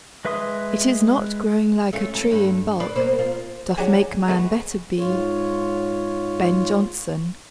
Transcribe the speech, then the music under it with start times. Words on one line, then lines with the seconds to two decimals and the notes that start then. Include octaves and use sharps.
It is not growing like a tree In bulk, doth make man better be. BEN JONSON.
0.25 G#3 B4 E5 C6 D#6
1.93 A3 C#4 F4
2.15 C#4 A4
2.31 G2 A4
2.80 B4 C5 D5
2.95 B2 A#3 C5
3.19 F4
3.78 F#3 D4 D#4 G4 G#4
4.28 G#3 A3 B3
4.98 G#2 F4 C#5